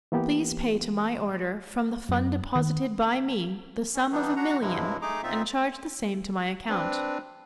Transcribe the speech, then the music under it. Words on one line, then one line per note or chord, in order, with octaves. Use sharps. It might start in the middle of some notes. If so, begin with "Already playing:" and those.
Please pay to my order, from the fund deposited by me, the sum of a million, and charge the same to my account.
E3 A#3 B3 G4
F#2
D#3
C#4
E3 G3 B3 D4 D#4
D4 F#4 F#5 A#5
G2 C3 F3 F#3 G#3 E4
A3 D#4 G#4 D#5 A#5 D6
A#2 C4 D#4 F4 E5
C4 D4 B4